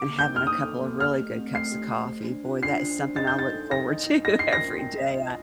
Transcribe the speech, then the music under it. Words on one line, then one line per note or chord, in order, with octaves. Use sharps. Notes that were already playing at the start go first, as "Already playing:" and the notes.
and having a couple of really good cups of coffee. Boy, that is something I look forward to every day. I
Already playing: D6
A#3
G6
D#4
F6
A#3 D#6
A4
A#3
G4 F6
A3
C4
A3 C7
G4
A3
C5
D4
F4
D4 C7
C5
D4
D#5 A6
G6
D#4 A6
A4
D#4 A#6
D#5
D#4
D#5 A#6
F4 C7
A#6
A#4
G5
D#5
F4